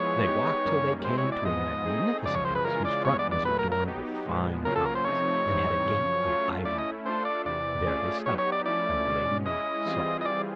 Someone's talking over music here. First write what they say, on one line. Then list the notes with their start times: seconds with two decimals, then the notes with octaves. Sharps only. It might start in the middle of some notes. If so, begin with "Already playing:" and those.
They walked till they came to a magnificent house, whose front was adorned with fine columns, and had a gate of ivory. There they stopped, and the lady knocked softly.
Already playing: F3 G#3 B3 E4 G#4 C#5
0.25 G#3 B3 D#4 G4
0.65 F#2 D#3 G3 A#3 C#4
1.05 B2 G#3 C4 E4 C5
1.18 C#5
1.32 D5
1.45 G#2 F3 G#3 B3 D#5
1.85 A3 C4 D#4 G#4
2.25 F#2 C#3 F3 G#3 D5
2.35 C#5
2.45 C5
2.55 B4
2.65 C#3 E3 G#3 C#4 F4 A#4
2.85 D5
3.05 G2 E3 G#3 B3 C#5
3.19 D5
3.31 D5
3.45 A#2 F#3 A3 B4
3.59 A#4
3.72 A#4
3.85 F#3 B3 D#4 G4
4.25 A#2 F3 G#3 B3
4.65 C#3 F#3 A#3 C#4 F4 A#4
4.76 A4
4.85 A#4
4.95 C5
5.05 C3 F3 A3 C4 D#4 C#5
5.45 G#2 E3 G3 C4 D#4
5.85 F#2 C#3 F3
6.26 F#3 A3 C#4 F4
6.65 A3 C#4 E4 D5
6.78 D#5
7.05 A3 D4 F4 A4 C5
7.25 D5
7.45 E2 C3 E3 D5
7.86 A3 C#4 F4 G#4
8.26 F#3 B3 D#4 G4 C#5
8.38 C#5
8.52 D5
8.65 F3 A3 C#4 E4 D5
9.06 B2 G#3 C#4
9.45 G#3 C#4 E4 D#5
9.85 E3 G3 C4 F4 G#4
10.21 D#5
10.25 D5